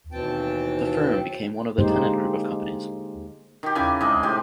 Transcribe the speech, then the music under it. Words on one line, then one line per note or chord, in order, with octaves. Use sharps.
The firm became one of the Tennant group of companies.
D#2 B2 E3 C4 G5 A5
D3 G#3 A#3 D#4 G4 C5
D#3 G4
C#3 E4 G#5 D6
C3 G#3 D#4
A2 C4 G4 G#5